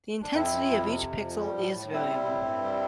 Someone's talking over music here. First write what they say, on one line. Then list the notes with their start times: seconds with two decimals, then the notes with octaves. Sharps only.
The intensity of each pixel is variable.
0.22 D4
0.33 F2 C4 E4
0.52 F3
0.69 F2
0.86 C3
1.04 F2
1.22 F3
1.40 G3
1.57 A2
1.75 A2
1.92 G3 C4 E4
2.10 G3
2.29 A2
2.45 G2
2.64 G3